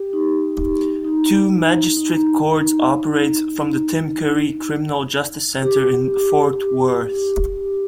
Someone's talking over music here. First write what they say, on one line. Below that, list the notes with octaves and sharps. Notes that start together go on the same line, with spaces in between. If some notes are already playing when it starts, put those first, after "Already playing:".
Two Magistrate Courts operate from the Tim Curry Criminal Justice Center in Fort Worth.
Already playing: G4
D#4
D#4
D#4
G4